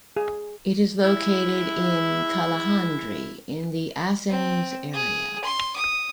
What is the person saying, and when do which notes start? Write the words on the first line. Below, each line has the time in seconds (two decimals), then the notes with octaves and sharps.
It is located in Chalandri in the Athens area.
0.16 G#4
1.04 G#3 E4
4.29 C4
4.93 G#4
5.44 C6
5.76 D#6